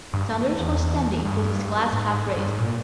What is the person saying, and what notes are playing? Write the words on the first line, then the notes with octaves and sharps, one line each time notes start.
Saunders was standing with his glass half raised.
G2
E2
E2
G2
G#2
E2
G2
G#2
A#2